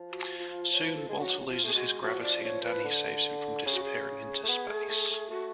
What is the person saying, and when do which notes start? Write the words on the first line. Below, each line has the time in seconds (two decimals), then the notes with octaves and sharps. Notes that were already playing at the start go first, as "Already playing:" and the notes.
Soon, Walter loses his gravity and Danny saves him from disappearing into space.
Already playing: F3
0.10 F#4
0.38 F4
0.72 C#5
0.84 B4
0.96 A4
1.08 G#3 G#4
1.19 F#3 F#4
1.41 F#4
1.47 F3 F4
1.64 A3 G#4
1.74 G#3 F#4
2.02 F3 F#4
2.22 D5
2.43 C#5
2.63 B4
2.84 D3
3.66 C#3 G#4
3.74 F#4
3.83 G#4
4.43 A3
4.48 B3
4.69 A3
4.89 A3
5.10 A3
5.30 A3 F#4